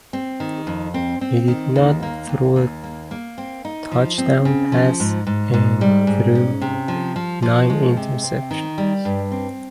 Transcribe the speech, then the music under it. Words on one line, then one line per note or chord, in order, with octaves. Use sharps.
He did not throw a touchdown pass and threw nine interceptions.
C4
D#3
F2
C4
C4
D#3
D#2
A#3
D#2
D#2
A#3
A#3
C4
D#4
F3
C4
C#3
F3
G#2
G#2
G#2
G3
G#2
C#4
C3
F3
F3
F3
G#3
C3
C4
D#3
G3
G2
C4